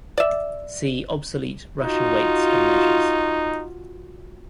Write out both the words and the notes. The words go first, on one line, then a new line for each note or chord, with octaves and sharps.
See Obsolete Russian weights and measures.
D5 E5
D#4 F4 F#4